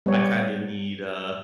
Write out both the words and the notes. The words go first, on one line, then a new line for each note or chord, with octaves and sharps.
I kinda need, uh,
G3 B3 C#5